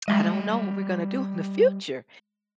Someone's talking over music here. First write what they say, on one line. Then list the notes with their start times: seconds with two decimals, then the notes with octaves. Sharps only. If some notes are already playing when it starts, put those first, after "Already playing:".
"I don't know what we're gonna do in the future."
0.08 G3 G#3 D#5